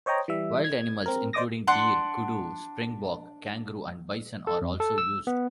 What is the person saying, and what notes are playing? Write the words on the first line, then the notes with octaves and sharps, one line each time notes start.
Wild animals including deer, kudu, springbok, kangaroo, and bison are also used.
C5 C#5 D#5 G5 A#5
E3 G3 E5
G#6
C4 A#4
C5 D5 D#5 D6 D#6 A#6
D4 F#5 C6
A4
F2
A4
E6
B3